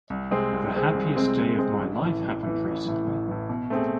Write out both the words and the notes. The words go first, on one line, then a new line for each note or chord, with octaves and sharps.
The happiest day of my life happened recently.
C2
C3 G#3 C4 G#4
C2
C3 G#3 C4 G#4
C2
C3 G#3 C4 G#4
C2
C3 G#3 C4 G#4
A1
A2 E3
A1
A2 E3
A1
A2 E3
A1
A2 E3
B2
A3 C4 G#4